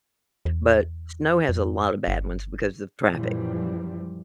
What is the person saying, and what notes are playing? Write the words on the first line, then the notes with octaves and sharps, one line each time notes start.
but snow has a lot of bad ones because of traffic,
E2
F2
G1
F#2 A#2 E3 F3 G3